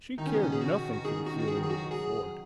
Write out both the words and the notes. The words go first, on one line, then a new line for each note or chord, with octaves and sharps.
She cared nothing for the feelings of a ford.
D#3 D#4
C#3 C#4
B2 B3
C#3 C#4
G#4
F#4
F#4
D#3 G#4
C#3 F#4
D#3
F#4
G#4
D#3
F#3 G#4
F#4
F#3 G#4